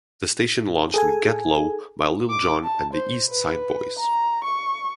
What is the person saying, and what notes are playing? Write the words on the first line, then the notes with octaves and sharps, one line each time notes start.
The station launched with "Get Low" by Lil Jon and the East Side Boyz.
G#4 A4 G#5
D6
A5
C5
B4
A#5
C#6